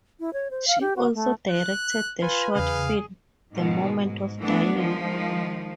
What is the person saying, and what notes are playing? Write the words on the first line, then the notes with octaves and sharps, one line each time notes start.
She also directed the short film "The Moment of Dying".
E4
C#5
C5
F5
G4
F#4
A3
F#6
F4 B4 G#5
E2 C#3 G#4 F5
G#2 B2 D#3 G#3
G#2
E3 G3 A3 B3 D4
D#3 F3 G#3